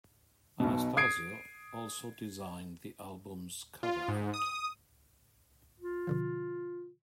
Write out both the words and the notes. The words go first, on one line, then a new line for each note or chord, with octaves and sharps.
Anastasio also designed the album's cover art.
B1 B2
D#6 G#6 C7 D7
F4
G#2
D#6
F4
B2 D3 F3